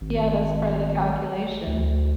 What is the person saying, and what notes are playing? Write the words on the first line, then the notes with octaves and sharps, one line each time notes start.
yeah, that's part of the calculation,
G#1
D2